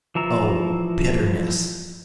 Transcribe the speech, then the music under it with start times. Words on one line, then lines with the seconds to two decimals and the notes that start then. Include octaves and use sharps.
Oh, bitterness!
0.15 E3 F3 E5 A#5